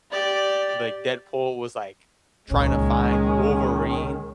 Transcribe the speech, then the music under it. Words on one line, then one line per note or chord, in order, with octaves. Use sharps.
like, Deadpool was, like, tryna find Wolverine
G4 D5
C#2 A#2 D#3 G#3 C#4